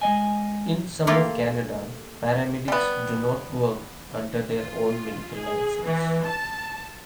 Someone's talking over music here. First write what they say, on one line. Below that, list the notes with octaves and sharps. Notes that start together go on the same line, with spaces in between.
In some of Canada, paramedics do not work under their own medical license.
G#3 D#5 G#5
A3 A#3 F4 G4
G3 B3
F4
G#4
E3
A5